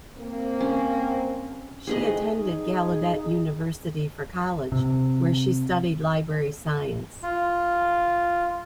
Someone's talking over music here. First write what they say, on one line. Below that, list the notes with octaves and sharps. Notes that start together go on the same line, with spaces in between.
She attended Gallaudet University for college where she studied library science.
A#3 C4
C#4
F2 A3 D#4 G#4 B4 D#5
D#4 G#4
C3
F4